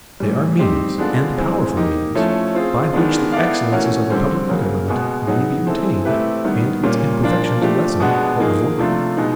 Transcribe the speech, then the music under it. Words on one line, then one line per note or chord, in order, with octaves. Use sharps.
They are means, and powerful means, by which the excellences of republican government may be retained and its imperfections lessened or avoided.
A2 E3 G3
G3 C4 D#4 G4 C5
G#3 B3 D4 F4 A4
E3 G#3 C4
A#3 D#4 G4
F3 A3 C#4 E4 A4
C4 F4 G#4
D#3 G#3 B3 D4
B3 E4 A4 D5 F5
E3 A3 C#4 F#4 A#4
D3 G3 C4
C#3 F#3 A#3
B2 G#3 B3
F#3 B3 D#4 G#4
E3 G#3 C4 E4 A4
A3 C4 E4 G4 B4
D#3 G3 B3
A#2 G3 A#3 C#4
A#2 F3 A#3 D4 F4
F3 A3 D4 G4
B2 G#3 B3 D4 F#4
F3 A#3 D#4 G#4
C3 F3 A3 D4 F4
B2 G#3 B3 D#4